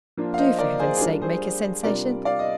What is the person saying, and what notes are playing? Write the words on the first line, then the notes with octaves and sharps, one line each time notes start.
Do for Heaven's sake make a sensation.
F3 A#3 D4 F4
F5
C5 D#5
A#4 D5
G#4 C5
G#4
G3 D4 F4 A#4
G#4 C5
C3 G3 D4 F4 A#4 D5
D5 F5
D#5